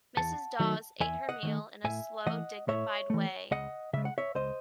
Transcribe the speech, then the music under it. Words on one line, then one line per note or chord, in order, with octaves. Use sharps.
Mrs. Dawes ate her meal in a slow, dignified way.
E2 F#5 A5
D#3 F#3 A3
E2 E5 G#5
D#5 F#5
D#3 F#3 A3
A2 E5 G#5
E3 A3 D#5 F#5
A2 C#5 E5
E3 A3
C#2 D#5 F#5
C#3 G#3 E5
F#5
C#5 E5
C#2 C5 D#5